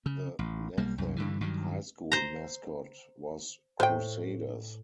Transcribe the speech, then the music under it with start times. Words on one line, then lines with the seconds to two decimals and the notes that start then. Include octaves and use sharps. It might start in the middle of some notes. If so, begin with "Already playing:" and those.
The Latham High School mascot was Crusaders.
0.06 C#3
0.39 A1
0.77 B1 G3 A#3
0.98 C2 F#2
1.16 G2 D3 E3
1.41 G2 D#3 F#3
2.12 C5 A#5
3.80 A2 C5 G5